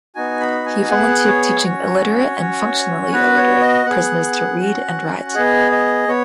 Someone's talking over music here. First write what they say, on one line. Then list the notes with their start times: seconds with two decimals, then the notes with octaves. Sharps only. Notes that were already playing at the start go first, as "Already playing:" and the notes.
He volunteered teaching illiterate and functionally illiterate prisoners to read and write.
0.15 B3 D#4 F#4 G#5
0.40 B5
0.66 G#5
0.90 B3 G#4 F#5
1.27 C#5
1.64 C#4 F#4
2.38 C#4 F#4
3.12 B3 F#4 B4
3.36 C#5
3.61 D#5
3.86 B3 G#4 F#5
4.60 C#4 F#4
5.34 B3 G#4 D#5
5.72 D#5
6.08 B3 C#5